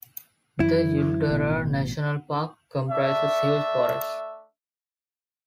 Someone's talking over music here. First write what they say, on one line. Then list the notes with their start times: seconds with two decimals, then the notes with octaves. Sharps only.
The Ulidarra National Park comprises huge forests.
0.60 F#2 E3 E4
1.29 A1 B2
2.90 A3 D4 E5